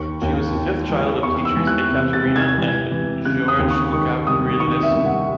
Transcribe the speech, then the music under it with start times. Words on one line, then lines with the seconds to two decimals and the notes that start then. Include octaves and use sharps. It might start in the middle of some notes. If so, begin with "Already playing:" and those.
She was the fifth child of teachers Ecaterina and Gheorghe Gavrilescu.
Already playing: D#2 C#6
0.22 D#2
0.55 D#2
0.89 E3
1.23 E2 C#6
1.45 E6
1.57 E3
1.67 F#6
1.91 C3
2.13 A6
2.25 C3
2.36 G#6
2.58 E3
2.91 E3
3.25 C#3 F#6
3.48 D#6
3.59 D#2
3.71 C#6
3.93 D#3 C#6
4.27 C2 D#6
4.60 D#3 C#6
4.83 E5
4.94 C2
5.06 F#5